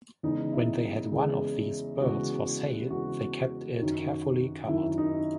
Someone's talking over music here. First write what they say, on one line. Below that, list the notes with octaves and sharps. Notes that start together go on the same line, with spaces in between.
When they had one of these birds for sale they kept it carefully covered.
E2 C#3 G#3 D#4
E4
E2 C#3 G#3 G#4
E2 C#3 G#3 F#4
E2 C#3 G#3 F#4
F#2 D#3 F#3
F#2 D#3 F#3 E4
D#4